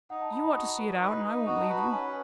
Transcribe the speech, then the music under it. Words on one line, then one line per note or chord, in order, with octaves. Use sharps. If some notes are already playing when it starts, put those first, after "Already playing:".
You ought to see it out, and I won't leave you.
D#4 F#5
A5
D#4 B5
B5
F#4 D#6
B4
D#4
D#4
F#4 C#6
A5
B4 B5
A5
C#4 G#5